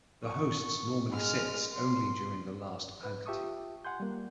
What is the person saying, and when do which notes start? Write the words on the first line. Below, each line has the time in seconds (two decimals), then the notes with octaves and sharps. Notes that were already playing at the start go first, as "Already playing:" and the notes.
The hosts normally sits only during the last pankti.
0.23 C#6
1.10 G#3 F6
1.74 C6
3.04 B4
3.26 F4 G4 E5 A5 C#6 D#6
3.85 F#5 G#5 C6 G6
4.00 G3 A#3